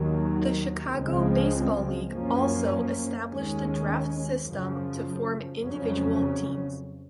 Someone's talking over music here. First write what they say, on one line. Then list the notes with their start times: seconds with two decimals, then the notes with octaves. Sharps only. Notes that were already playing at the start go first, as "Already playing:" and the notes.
The Chicago Baseball League also established the draft system to form individual teams.
Already playing: D#2 D#3 F#3
0.93 C#2 C#3 F3 G#3 C4
2.11 F#2 F3 A#3 C#4
3.28 D#2 D#3 G#3 C#4
4.45 F#2 C#3 F3
5.63 F2 C#3 F#3 C#4